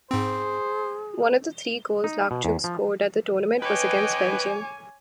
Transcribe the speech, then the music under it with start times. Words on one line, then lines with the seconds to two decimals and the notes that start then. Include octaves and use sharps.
One of the three goals Iachtchouk scored at the tournament was against Belgium.
0.11 G#2 C4 G#4 C5
2.04 D#4
2.31 B2
2.45 E2
2.64 F3
3.62 B4 C#5 D#5 G5 G#5 D6